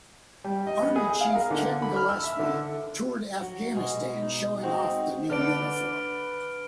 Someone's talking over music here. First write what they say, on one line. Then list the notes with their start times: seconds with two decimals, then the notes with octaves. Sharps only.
Army chief Ken Gillespie toured Afghanistan showing off the new uniform.
0.44 G3
0.67 D#5
0.82 B3
0.96 G#4
1.21 F5
1.35 A#4
1.51 D3
1.82 B5
1.96 F6
2.09 E6
2.24 E5
2.39 D3
3.41 F#3
3.75 B2 G#3
4.22 D#4
4.63 G#3 C4 D#4 F#4
5.30 D3 B4 D5 F6 D7